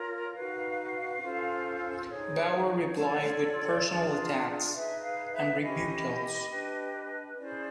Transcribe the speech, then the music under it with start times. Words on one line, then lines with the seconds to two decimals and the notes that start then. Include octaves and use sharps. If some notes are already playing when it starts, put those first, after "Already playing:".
Bower replied with personal attacks and rebuttals.
Already playing: F4 A#4 C#5
0.33 D#4 F#4 B4 F5
1.21 C#4 F4 A4 C5
2.09 D#4 G#4 C#5
2.97 F4 A4 C#5 D5
3.86 D4 F4 G#4
4.73 D#4 G#4 B4 E5
5.02 F5
5.32 E5
5.61 C#4 E4 G4 D#5
6.49 D4 G4 B4
7.37 C#4 E4 G#4 C5 D5